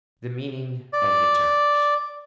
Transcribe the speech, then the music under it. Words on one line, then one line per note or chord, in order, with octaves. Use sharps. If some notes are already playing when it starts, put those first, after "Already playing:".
The Meaning of the Terms.
D5